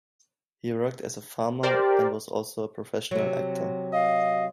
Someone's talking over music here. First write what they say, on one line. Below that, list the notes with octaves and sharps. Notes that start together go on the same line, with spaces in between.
He worked as a farmer, and was also a professional actor.
G4 A#4 C5 D5
C3 F#3
D#5 F5